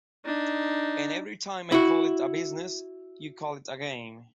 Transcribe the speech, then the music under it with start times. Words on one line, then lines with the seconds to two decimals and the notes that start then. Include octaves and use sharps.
And every time I call it a business, you call it a game.
0.25 D4 D#4
1.72 E4 F#4